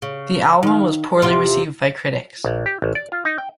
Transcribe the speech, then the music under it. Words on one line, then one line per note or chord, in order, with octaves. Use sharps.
The album was poorly received by critics.
C#3
D#3 F5
E2 C3 F4
A#1
G4
A1
D5
F4
D#4
G5